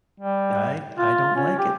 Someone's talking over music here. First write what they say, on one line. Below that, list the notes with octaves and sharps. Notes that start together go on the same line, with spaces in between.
I I don't like it.
G3
F4
C#4
G4